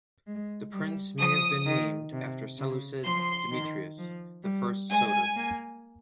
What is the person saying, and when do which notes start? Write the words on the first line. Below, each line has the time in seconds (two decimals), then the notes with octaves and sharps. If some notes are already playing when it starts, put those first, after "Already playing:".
The prince may have been named after the Seleucid Demetrius the First Soter.
0.27 G#3
0.73 G3
1.19 F3 D#6
1.66 D#3
2.13 C3
2.58 C#3
3.05 F3 C6
3.51 D#3
3.98 F3
4.44 G3
4.90 G#3 G#5
5.37 A#3